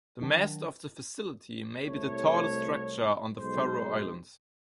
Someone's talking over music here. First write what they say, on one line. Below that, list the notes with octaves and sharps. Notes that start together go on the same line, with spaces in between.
The mast of the facility may be the tallest structure on the Faroe Islands.
D#3 F#3 D4
C2 A3 C#5
B1 G#3 C5